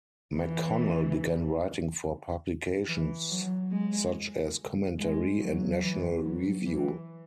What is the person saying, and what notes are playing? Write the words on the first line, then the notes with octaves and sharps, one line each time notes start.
McConnell began writing for publications such as "Commentary" and "National Review".
E3
E3
F#3
G#3
G#3
F#3
E3
F#3
E3